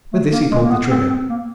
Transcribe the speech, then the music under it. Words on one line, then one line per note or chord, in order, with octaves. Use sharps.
With this he pulled the trigger.
A3
A#3
G#3
A#3
B3
C4
C4
A#3